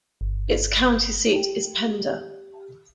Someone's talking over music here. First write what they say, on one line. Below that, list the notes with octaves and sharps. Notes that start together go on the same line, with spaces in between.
Its county seat is Pender.
G1
G4